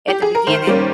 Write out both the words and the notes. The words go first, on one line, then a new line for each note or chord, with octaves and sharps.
at the beginning
G4
G#4
A#4
D#3 C5
G3 A#3 C#4